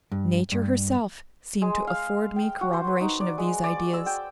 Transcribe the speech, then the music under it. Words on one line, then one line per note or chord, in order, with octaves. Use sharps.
Nature herself seemed to afford me corroboration of these ideas.
G2
G2
G#3
F5
G5
F#4
C5
B4
D#4
D5
G#3
D5
E6
G5